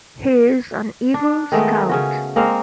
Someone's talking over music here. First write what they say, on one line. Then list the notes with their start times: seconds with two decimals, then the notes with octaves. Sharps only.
He is an Eagle Scout.
1.14 D4
1.52 D#3 G#3 A3 B3
1.89 C#3 C#4 F#4
2.36 G#3 A#3 C4 F5